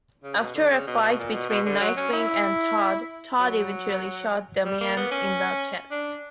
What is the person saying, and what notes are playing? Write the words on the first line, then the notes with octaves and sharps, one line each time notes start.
After a fight between Nightwing and Todd, Todd eventually shot Damian in the chest.
C#3
B2
D3
C#3
B2
B2
A#2
B2
B2
D3
F#3
C#4
E4
F#3
G3
A#3
B3
C#4
D4